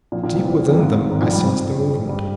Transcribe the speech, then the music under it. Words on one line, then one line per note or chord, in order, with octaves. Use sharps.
Deep within them I sensed a movement.
A#1 A#2
A#1 A#2
C2 C3
E2 E3
F2 F3
G#1 G#2
G#1 G#2
A#1 A#2
G2 G3
F2 F3
G2 G3